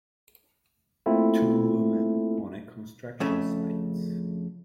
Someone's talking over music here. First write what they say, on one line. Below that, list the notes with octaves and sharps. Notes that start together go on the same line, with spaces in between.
Two women on a construction site.
A3 A#3 C4 E4 F4 A4
F2 C#3 A3